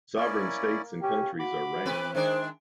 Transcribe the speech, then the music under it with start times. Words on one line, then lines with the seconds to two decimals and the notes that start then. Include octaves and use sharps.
Sovereign states and countries are ranked.
0.17 A#3 C#4 E4 D5
1.02 C#4 G4
1.39 F#4 B5 D6
1.86 E2 C4 B4
2.15 D#3 G#3 D4 C5